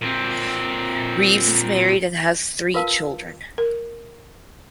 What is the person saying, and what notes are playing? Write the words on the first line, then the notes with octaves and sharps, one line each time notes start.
Reeves is married and has three children.
A#2 C4
F4 A#4 B4 F5 A5
A#4